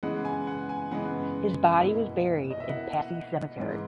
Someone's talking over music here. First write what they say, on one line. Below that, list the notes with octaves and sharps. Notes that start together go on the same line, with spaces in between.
His body was buried in Passy Cemetery.
C#3 E3 G#3 B3 F#5
G#5
F#5
G#5
C#3 E3 G#3 B3 F#5
B2 A#3 E4
D#5
E5
B2 A#3 E4 F#5
F#5
G#2 E3 G#3